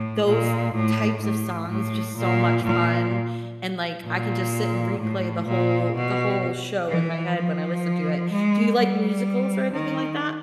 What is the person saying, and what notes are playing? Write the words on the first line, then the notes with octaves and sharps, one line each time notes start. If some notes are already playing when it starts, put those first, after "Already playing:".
those types of songs just so much fun, and, like, I can just sit and replay the whole the whole show in my head when I listen to it. Do you like musicals or anything like that?
Already playing: A2
A#2
A2
A2
A2
A#2
A#2
A#2
A2
A#2
B2
E3
F3
G#3
G3
D#3